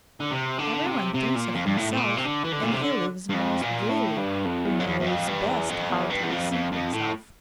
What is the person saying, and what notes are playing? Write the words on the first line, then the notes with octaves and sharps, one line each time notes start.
Everyone thinks of himself, and he lives most gaily who knows best how to deceive himself.
D3
C3
D3
C3
C3
A#2
F2
G2
A2
A2
A#2
C3
D3
E3
D3
A#2
C3
D3
G2
F2
A#2
A2
G2
F2
E2
F2
E2
E2
F2
G2
E2
F2
E2
G2
E2
F2
F2
F2
A2